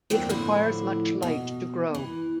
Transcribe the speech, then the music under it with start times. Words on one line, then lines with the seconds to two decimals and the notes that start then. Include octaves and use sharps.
It requires much light to grow.
0.10 E2 G2 A#2 D3 C4 G5
0.29 A2 D3 F3 E4 C5
1.22 B2
1.95 E3